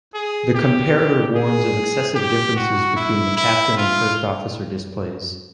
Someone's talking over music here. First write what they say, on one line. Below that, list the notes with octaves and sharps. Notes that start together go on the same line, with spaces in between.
The comparator warns of excessive differences between the Captain and First Officer displays.
G#4
G4
G#4
G4
F#4
E4
E4
F4